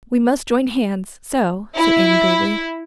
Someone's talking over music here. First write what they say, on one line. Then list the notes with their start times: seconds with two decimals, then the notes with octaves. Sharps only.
"We must join hands--so," said Anne gravely.
1.77 E4